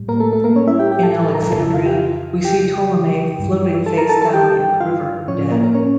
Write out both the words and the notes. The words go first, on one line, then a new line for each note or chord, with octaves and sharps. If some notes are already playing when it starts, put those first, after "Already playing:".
In Alexandria, we see Ptolemy floating facedown in the river, dead.
Already playing: A2 G3
A#3 A#4
A3 A4
A3 A4
A#3 A#4
C#4 C#5
E4 E5
G4 G5
G4 G5
A4 A5
A4 A5
A#4 A#5
F2 C#3 F3 A4 A5
E4 E5
F4 F5
G4 G5
F4 F5
G4 G5
G2 E3 G3
A4 A5
A#4 A#5
A4 A5
A4 A5
G4 G5
F4 F5
A2 F3 C#4 C#5
A#3 A#4
A#4
C#4 C#5